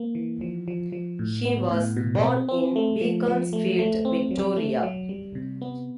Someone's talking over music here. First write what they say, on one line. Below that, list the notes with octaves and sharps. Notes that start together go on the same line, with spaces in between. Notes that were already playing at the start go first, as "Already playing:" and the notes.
He was born in Beaconsfield, Victoria.
Already playing: A#3
E3
F3
F3
F3
A2
B3
A2
B2
C4
C4
A3
F3
F3
A3
A3
C4
F#3
A3
F#3
G3
C3
B3